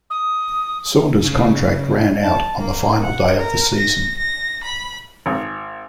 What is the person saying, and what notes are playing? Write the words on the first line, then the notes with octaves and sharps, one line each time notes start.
Saunders' contract ran out on the final day of the season.
D#6
C#3
A5
A#3
F#5
A#4
A#6
A#6
B5
G#1